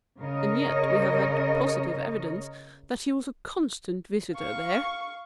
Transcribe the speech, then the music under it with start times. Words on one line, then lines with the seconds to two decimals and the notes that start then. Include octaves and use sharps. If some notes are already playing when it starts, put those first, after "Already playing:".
"And yet we have had positive evidence that he was a constant visitor there."
0.20 C#3 A#4 C#5 D#5
4.34 F5 C#6